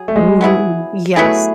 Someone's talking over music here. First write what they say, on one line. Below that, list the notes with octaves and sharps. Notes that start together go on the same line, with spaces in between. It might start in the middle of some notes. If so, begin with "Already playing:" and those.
Ooh, yes.
Already playing: F#3 G#4
A3
G#3
F#3 B3 E4 G#4
F#3 A3 B3 E4 G#4